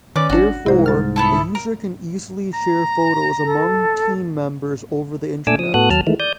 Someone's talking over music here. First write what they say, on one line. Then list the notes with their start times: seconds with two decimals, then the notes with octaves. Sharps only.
Therefore, a user can easily share photos among team members over the Internet.
0.16 D#3 C#4 B4 D5 D6
0.29 G#1 D4 F#4
0.66 C2 G#2 E4 C5
0.86 F6 A6
1.16 B3 E4 A4
1.55 A#4 A#5
2.54 A#5
3.43 A4
5.47 A#2 A3 D4 G#5 D6 E6
5.59 F3 D#6
5.74 A2 B3 F#4 A4 D#6 F#6
5.90 D#2 F#3 A5 F6
6.07 D#3 E3 G#3 A3
6.20 D5 D#6 G6